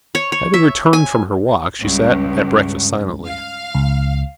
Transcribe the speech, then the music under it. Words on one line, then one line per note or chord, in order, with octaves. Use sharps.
Having returned from her walk she sat at breakfast silently.
C#5
C#5
E5
G#5
C#2 G2
F5
C#2